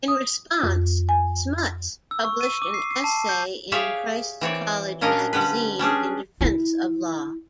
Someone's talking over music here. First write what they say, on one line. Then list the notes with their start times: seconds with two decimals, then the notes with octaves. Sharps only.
In response Smuts published an essay in Christ's College Magazine in defence of Law.
0.08 D#6
0.63 F2
1.09 G#5
2.11 E6
2.25 C#6
2.41 D#7
2.62 D6
2.74 C7
2.91 C7
3.04 A5
3.29 G6
3.72 G4 G#4 C#5 D5 E5 F5
4.41 E3 C4 C#5 D5
5.01 A#2 C#4 D4 A#4 D#5
5.33 D3 G3 C#4 B4
5.79 G3 C#4 D4 G#4
6.41 E4 F4